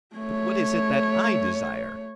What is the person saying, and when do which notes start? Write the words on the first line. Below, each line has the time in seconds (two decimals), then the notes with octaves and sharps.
But what is it that I desire?
0.16 A3 C#5